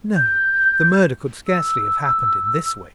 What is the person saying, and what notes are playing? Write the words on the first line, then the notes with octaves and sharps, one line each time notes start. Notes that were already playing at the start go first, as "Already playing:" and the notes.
No! the murder could scarcely have happened in this way.
G6
E6